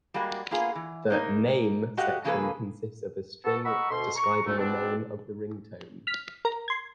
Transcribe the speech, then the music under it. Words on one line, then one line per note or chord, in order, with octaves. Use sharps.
The "name" section consists of a string describing the name of the ringtone.
G3 G#3 A#3 F#4
A#3 B3 F4 G#4
E3
A#3 D#4 A#4
F#4 G4 A4 D#5 F5 F#5
C#3 F3 A#3 G#4 A4 B4
B3 F#4 A4
D#5 F#5 A#5 B5 C#6 E6
D2 B2 C6
A#5 C#6
D2 A3
B2 C4 D4
F6 B6
A#4 A#6
C6 G#6